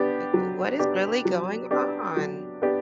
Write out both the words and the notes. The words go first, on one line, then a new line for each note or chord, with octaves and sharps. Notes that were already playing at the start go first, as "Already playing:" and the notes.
Like, what is really going on?
Already playing: B3 D4 G4
F#3
B3 D4 G4
F#3
B3 D4 G4
F#3
B3 D4 G4